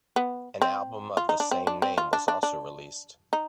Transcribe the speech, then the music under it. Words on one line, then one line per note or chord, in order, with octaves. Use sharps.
An album of the same name was also released.
B3
C4
F4
D#4
D4
C4
D4
C4
F4
D4
D4
D4
D#4